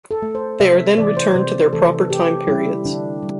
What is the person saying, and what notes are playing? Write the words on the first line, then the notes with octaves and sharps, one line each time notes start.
They are then returned to their proper time periods.
A4
A3
C5
C3 E5
E3 A3 D5
C5
C3 C5
E3 A3 A4
C3 G4
G3 E4
D3 D4
G3